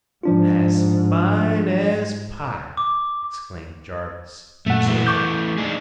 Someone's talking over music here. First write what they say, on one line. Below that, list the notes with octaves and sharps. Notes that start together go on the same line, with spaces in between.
"As fine as pie!" exclaimed Jarvis exultantly.
G#2 F3 D4 F4
D6
F#2 A#2 A3 F#5
E3 A3 B3
C#6 D6 G6
D4 D#4 G#4